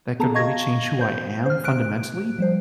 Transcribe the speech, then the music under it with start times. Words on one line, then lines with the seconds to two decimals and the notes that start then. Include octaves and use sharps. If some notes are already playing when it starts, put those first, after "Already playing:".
that could really change who I am fundamentally.
0.20 B3 G#4 A4 A5 A#5
0.34 D#5 F5 C#6 G#6 A#6
0.99 C5 G6
1.46 C5 F6
1.65 F#6 D7
2.38 F3 G3 C5